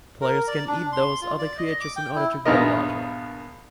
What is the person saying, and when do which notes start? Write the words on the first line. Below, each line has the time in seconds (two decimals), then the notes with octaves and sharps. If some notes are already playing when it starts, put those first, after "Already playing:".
Players can eat these other creatures in order to grow larger.
0.21 A#4
0.48 D5
0.68 D4
0.93 C6
1.22 F4
1.39 D5
1.58 D#5
1.81 D6
1.96 G5
2.15 E4
2.45 A#1 E2 G2 B3 A#4 D#5